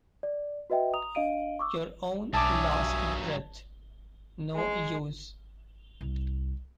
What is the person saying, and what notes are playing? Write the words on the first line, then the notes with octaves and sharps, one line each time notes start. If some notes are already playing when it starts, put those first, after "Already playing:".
"Your own last breath", "no use".
D5
F#4 B4 D#5 E5 G5
A#5 D#6 F7
D4 D#5 F5 D7 D#7
C#6 D6 E6
B1 G2 F#3 E5 G#5 A5 D6 D#6
G#3
C2